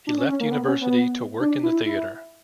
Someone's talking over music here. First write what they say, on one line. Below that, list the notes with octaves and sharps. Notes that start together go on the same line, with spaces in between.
He left university to work in the theater.
D4
C#4
C#4
A#3
B3
C#4
B3
D4
E4
E4